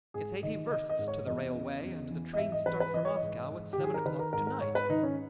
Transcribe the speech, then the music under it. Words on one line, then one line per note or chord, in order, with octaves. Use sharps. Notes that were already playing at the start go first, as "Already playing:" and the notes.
It's eighty versts to the railway and the train starts for Moscow at seven o'clock to-night.
G#2 G#4
D#3 D#5
D#3 D#5
D#5
G#2
C#5
E2 D#5
C#3
E2
E3
D#5
G#2 E5
D#5
E3 B4
B4
E3 D#5
C#5
D#5
G#2
G#2
D#3 G4
G#4
A#4
D#3 B4
A#4
G#2 A#4
A#4
G#2 C#5
B4
D#3 D#4
C#4